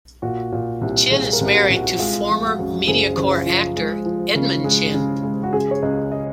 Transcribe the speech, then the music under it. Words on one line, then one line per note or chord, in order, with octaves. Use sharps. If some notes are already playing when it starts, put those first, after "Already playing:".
Chen is married to former MediaCorp actor Edmund Chen.
A#2 F#4
A#2
C2
C2 G#4
A#4
C2
F#4
C2
F#4
F#4
G#3 F4
F3
F#4
F#2
F#1 G#4
F#1
F4
F3
G#3
F3
C#3
G#3
C#3
G#3
F#4
C#3 G#4
C#5
C#2 D#5
D#5